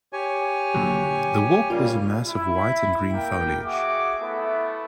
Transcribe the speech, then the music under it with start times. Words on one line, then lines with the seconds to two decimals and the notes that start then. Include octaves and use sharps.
The walk was a mass of white and green foliage.
0.13 G4 C#5 G#5
0.74 A#2 D3 F#3
1.70 C#3 G3 A#3 F4
2.27 E4
3.12 A#3 G5
3.64 F#4 G#4 E5 D6
4.20 A3 B3 E4 A4